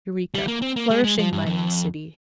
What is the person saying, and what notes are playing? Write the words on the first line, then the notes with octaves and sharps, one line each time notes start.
Yreka.--Flourishing mining city.
G3
A#3
C4
A#3
G#3
G#3
F3
G2
F2